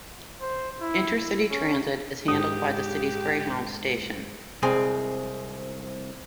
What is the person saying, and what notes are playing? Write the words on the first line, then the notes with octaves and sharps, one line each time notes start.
Intercity transit is handled by the city's Greyhound station.
C5
E4
E4
C#4
G#2 G4 D#6
C2 G#3 C4 G#5